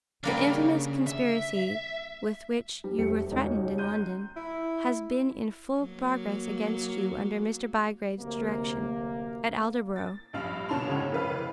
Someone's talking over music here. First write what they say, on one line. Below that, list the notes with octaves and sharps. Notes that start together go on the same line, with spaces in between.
The infamous conspiracy with which you were threatened in London has been in full progress against you under Mr. Bygrave's direction, at Aldborough.
C#3 G3 A#3 D4
E5
G3
F1 G3 A3 C4 G4 C#7
E1 C#2 C#3 D#4 C#5 A#5
A#5 C6 F#6 G6 D#7
E4
F#3 A#3
D2 C3 F#3 A#3
A6
A#1 G2 F5 F7
B2 C#4 D4 A5 C6 F7
F1 C#2 A2 C#3 C#5 F#5
F1 E3 B4 F5